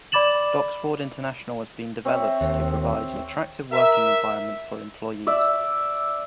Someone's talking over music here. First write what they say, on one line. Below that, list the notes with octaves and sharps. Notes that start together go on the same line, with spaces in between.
Doxford International has been developed to provide an attractive working environment for employees.
D5 B5 D6 A6 E7 F#7
C4 C#5 E5
D#2
A#4 E5
D5 E5